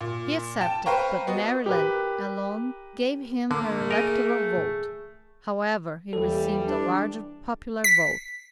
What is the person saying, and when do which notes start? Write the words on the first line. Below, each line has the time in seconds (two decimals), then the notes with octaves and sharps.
He accepted, but Maryland alone gave him her electoral vote; however, he received a large popular vote.
0.01 A#2
0.61 G5 A5
0.86 B4 C5 F5 G5 A#5 C#6
1.27 B3 F#4 D#5
1.66 G4 A#4 B4
3.51 D3 A3 A#3
3.91 G#4 A#4 D#5
6.13 D#2 E3 G3 A4
6.66 D4
7.84 B6